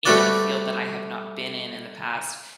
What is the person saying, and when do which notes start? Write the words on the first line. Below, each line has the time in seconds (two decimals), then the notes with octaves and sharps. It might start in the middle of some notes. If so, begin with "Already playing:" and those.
in a field that I have not been in in the past
0.05 G3 A3 C4 F#4 B4 D5